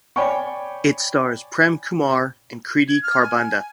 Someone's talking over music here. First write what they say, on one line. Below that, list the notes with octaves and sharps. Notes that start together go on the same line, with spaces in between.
It stars Prem Kumar and Kriti Kharbanda.
C#5 D5 G5 G#5 B5 C#6
G#6
F6
G#5